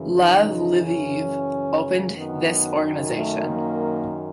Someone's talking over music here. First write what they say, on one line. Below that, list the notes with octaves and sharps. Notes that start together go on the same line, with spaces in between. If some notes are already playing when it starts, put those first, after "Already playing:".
Lev Leviev opened this organization.
Already playing: F#2 C#3 E3
D#4
C#4
F#2 D#3 B3
A3
A#3